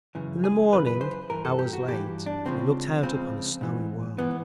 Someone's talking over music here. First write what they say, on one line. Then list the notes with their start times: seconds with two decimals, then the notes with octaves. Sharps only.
In the morning, hours late, we looked out upon a snowy world.
0.15 F#2 C#3 E3
0.44 G#4
0.72 F#2 C#3 E3 B4
0.87 B4
1.01 C5
1.30 G2 E3 A#4
1.45 A4
1.59 G4
1.73 F#4
1.88 G2 E3 G4
2.26 D4
2.45 C#2 C#3 F3 C4
3.03 C#2 C#3 F3 C4
3.61 G#2 E3
4.18 G#2 E3 B3